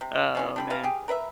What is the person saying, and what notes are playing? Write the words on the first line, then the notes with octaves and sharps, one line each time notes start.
Oh, man.
C3
E3 C#4 F4
D3 G3 B5
C3 E3 B4 F5
G4 G#4
A#4 B4 D#5 E5